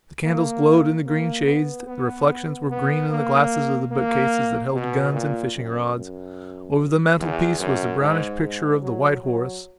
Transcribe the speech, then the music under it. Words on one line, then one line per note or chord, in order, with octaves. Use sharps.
The candles glowed in the green shades; the reflections were green in the glasses of the book-cases that held guns and fishing-rods. Over the mantelpiece was the brownish picture of the white horse.
A#3
A#3
B3
B3
B3
A#3
A#3
B2
A#2
F#2
F#2
E2
F#2
G#2
G#2
F#3
F#3